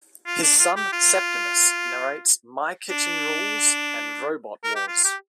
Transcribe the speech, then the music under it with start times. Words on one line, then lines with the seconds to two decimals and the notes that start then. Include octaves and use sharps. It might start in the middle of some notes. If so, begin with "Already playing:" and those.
His son Septimus narrates "My Kitchen Rules" and "Robot Wars".
0.26 F4
0.43 D4
0.59 F4
0.76 G4
0.93 F4
2.90 D4
4.64 A#4
4.76 G4
4.88 F4
5.04 G4